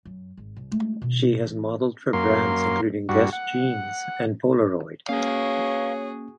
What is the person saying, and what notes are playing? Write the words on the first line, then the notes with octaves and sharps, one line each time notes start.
She has modeled for brands including Guess Jeans and Polaroid.
F#2
G#1
C2
G#3 A3
B2 D#3
E3
F#2 A#3 C6
G2 F#4
F#5
A#3 C#4 F#4 G#4 B4 C#5 F5